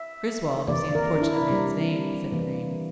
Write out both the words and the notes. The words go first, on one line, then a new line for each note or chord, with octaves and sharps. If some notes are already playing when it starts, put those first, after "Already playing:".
"Griswold is the unfortunate man's name," said Green.
Already playing: E5
C3 E3 A#3 D5
A#4
D4
E4
C3 G3 A#3
C3 E3 A#3